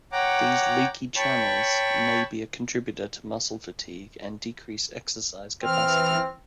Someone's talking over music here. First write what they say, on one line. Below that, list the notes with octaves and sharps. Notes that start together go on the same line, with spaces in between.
These "leaky" channels may be a contributor to muscle fatigue and decreased exercise capacity.
C#5 F#5 G5 A#5 D6
C#5 G5 A5 B5 C#6
E3 C4 F6